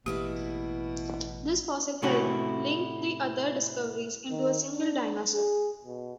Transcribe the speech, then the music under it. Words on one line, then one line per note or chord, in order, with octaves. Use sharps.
This fossil helped link the other discoveries into a single dinosaur.
A1 B2 A#3 E4 G4 B4
A2 C3 A3 C#4 E4 F#4
D#3
D4
G#4
B2